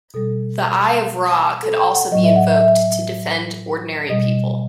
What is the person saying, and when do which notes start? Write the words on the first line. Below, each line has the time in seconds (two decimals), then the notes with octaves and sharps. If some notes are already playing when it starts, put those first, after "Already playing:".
The Eye of Ra could also be invoked to defend ordinary people.
0.14 B2 G3 A4
1.63 A4
1.79 G5
1.95 F#5
2.12 A2 F#3 D#5
2.24 E5
2.36 F#5
2.49 E5
2.61 E5
4.09 B2 G3 D#5